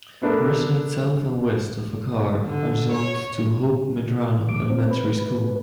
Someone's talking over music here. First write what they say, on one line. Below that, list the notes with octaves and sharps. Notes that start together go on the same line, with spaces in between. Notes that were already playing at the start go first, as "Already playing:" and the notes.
Residents south and west of Akard are zoned to Hope Medrano Elementary School.
A3 B3 D4 A4 A#4
D3
C#5
D6
C4
B4